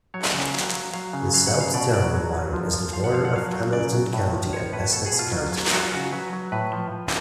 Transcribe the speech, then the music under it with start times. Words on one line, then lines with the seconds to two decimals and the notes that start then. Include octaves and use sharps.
The south town line is the border of Hamilton County and Essex County.
0.14 F#3 C#5
0.24 D5
0.34 C#3 F#5
0.43 F5
0.54 F#3 F5
0.73 F#3
0.93 F#3 F5
1.13 C#3
1.34 F#3 F5
1.47 F#5
1.54 C#3
1.60 F5
1.74 B2 D5
1.93 F#3 D5
2.14 F#3
2.33 F#3
2.53 F3
2.73 F3
2.93 F3 F5
3.04 F#5
3.13 F3 F5
3.25 F#5
3.33 F#3 F5
3.53 F#3
3.73 C#3 D5
3.93 F#3
4.13 A2
4.33 F3
4.53 F3 C#5
4.73 A2 B4
4.93 B2 A4
5.06 G#4
5.13 B2
5.19 F4
5.33 F#3
5.52 F#3
5.73 F#3 F#4
5.83 F4
5.92 C#3 F#4
6.12 F#3 B4
6.33 F#3
6.52 A2 B4
6.73 F3
6.92 F3